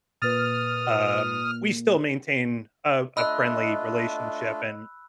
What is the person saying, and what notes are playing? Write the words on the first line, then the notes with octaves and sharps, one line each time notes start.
um We still maintain a a friendly relationship, and
A#2 B4 D#6 F6 A6
A3 D4 F4 D#5 B5 E6 F#6